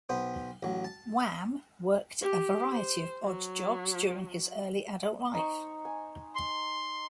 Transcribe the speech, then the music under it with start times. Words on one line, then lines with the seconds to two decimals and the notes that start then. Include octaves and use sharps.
Wham worked a variety of odd jobs during his early adult life.
0.09 B1 B3 C5
0.63 A1 F#3
0.84 A5
2.22 G4
2.72 C5
3.24 F#3
5.35 D#4 C5 C#6
5.85 G#5
6.35 C6